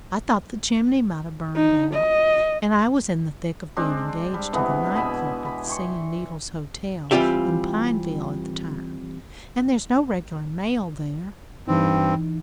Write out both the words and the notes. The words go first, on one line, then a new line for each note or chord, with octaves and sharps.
I thought the chimney might 'a' burned out--an' I was in the thick of bein' engaged to the night clerk at the Singin' Needles Hotel at Pineville at the time--an' there's no regular mail there.
D#4
D#5
G#3 C4 D4
G3
C3 E3 G#3 B3
B2 E5 G#5 B5
B5
G5 C6 C#6
E3 G3 C4 F4 G4 E5
G2 E3 C4 D#4